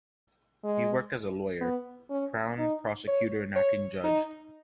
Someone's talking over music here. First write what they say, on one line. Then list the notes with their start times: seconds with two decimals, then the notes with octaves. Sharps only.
He worked as a lawyer, Crown Prosecutor and acting judge.
0.64 G#3
1.61 B3
2.10 C#4
2.59 D#4
3.08 C#5
3.56 C#5
4.04 D#4